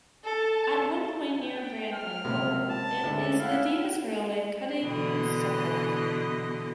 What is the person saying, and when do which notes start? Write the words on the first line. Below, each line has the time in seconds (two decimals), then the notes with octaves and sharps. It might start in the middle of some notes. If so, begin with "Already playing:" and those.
At one point near Brantham Bull it is the deepest railway cutting in Suffolk.
0.25 A4 A5
1.40 G5
1.93 F6
2.24 C#2 C3 A#3
2.70 A5
3.03 D2 G#3 E4
3.40 E4 F5 F#5
4.81 B2 D3 E3 D#5